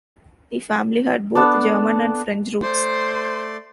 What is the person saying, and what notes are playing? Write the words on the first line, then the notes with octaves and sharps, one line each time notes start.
The family had both German and French roots.
B3 D4 A4 D5
A3 C5 D5 C6